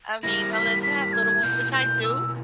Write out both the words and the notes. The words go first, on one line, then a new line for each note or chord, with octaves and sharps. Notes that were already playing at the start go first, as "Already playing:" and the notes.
I mean, unless you have little ones, which I do,
G3 A#3 E4 A#6
B6
B6
G#6
B2 A#3 E4 G6
G6
E6